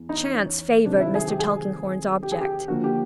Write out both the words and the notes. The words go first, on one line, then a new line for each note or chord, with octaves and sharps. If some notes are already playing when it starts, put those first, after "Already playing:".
Chance favored Mr. Tulkinghorn's object.
Already playing: E2
D#4
C#4
C3 D#3 F#3 A3 C4 D4
E4
G#4
G4
G#4
G4
G#4
G4
D3 F3 A#3 F#4
G4